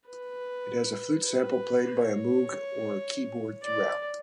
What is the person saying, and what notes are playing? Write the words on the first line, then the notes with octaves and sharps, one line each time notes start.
It has a flute sample played by a moog or keyboard throughout.
B4
B4
C#5
D5